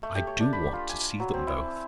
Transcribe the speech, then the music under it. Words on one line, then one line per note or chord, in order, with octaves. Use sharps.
"I do want to see them both."
A3
G4
C#5
D4
B5
F4
G#5
F#3
C4
E4